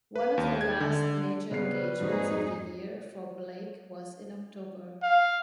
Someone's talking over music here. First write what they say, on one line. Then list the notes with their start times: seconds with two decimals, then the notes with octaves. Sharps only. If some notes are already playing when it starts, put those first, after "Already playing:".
One of the last major engagements of the year for Blake was in October.
0.16 B4
0.38 D#2
0.61 G#6
0.80 D3
1.51 C#3 G3 B3 B4 C7
2.01 F2 G#2 D#4 F#4 G#4
5.03 F5